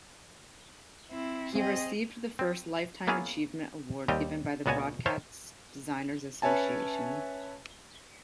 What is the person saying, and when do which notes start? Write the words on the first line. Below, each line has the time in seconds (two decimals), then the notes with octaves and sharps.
He received the first Lifetime Achievement Award given by the Broadcast Designers Association.
1.10 C4 E4
1.55 C4 G#4 D#5
2.39 C4
3.07 A#3 B3 C#4 E4 G#4 F5
4.08 D#2 G3 C4 G4 D#5
4.66 C#2 A#2 B3 F#4 C#5 G#5
5.06 C5 C#5 E5 F5 A5
6.42 C#4 B4 C#5 E5 G#5 A5